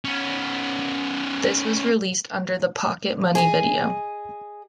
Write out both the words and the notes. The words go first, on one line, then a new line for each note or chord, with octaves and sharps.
This was released under "The Pocket Money Video".
B3 C#4
G#4 D#5 G#5